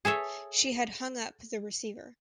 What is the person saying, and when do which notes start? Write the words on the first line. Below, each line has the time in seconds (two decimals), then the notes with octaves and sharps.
She had hung up the receiver.
0.05 G#4 A4 C#5 E5